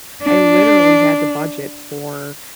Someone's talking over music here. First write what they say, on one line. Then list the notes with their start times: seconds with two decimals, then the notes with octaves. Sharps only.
I literally had to budget for,
0.23 D4